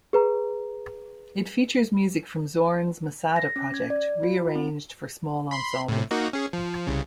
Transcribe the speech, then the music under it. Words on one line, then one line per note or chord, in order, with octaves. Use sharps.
It features music from Zorn's "Masada" project, rearranged for small ensembles.
G#4 B4 A#5
A#6
C#4
G#6
D5
F4
C4
B5 C6
A2 C3
A#3 D#4 F#4
C#4 G#4
F3
C2 C#3